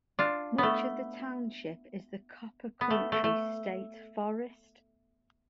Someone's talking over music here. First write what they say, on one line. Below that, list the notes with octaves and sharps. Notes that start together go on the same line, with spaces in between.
Much of the township is the Copper Country State Forest.
D4 F4
A3 B3
B3
A3
A3
A3